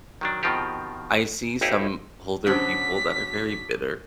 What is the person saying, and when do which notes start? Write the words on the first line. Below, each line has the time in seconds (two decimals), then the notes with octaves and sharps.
I see some older people that are very bitter,
0.21 D#3 F#3 D4
0.43 B2 D#3 F3 C4 F4 G4
1.61 G#1 D#2 D#4 E4 G4 G#4
2.46 B2 D3 F#3 C#4 D4 C5 B6